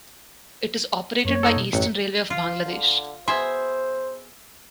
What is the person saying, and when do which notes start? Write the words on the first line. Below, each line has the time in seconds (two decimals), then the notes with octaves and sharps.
It is operated by Eastern Railway of Bangladesh.
1.25 F#2 A#3 C#5
1.43 D#4 A4
1.56 B2
1.73 A1 F#2 F#3 C#7
2.30 F4
2.65 D3
3.28 B2 G#4 C5 E5 C6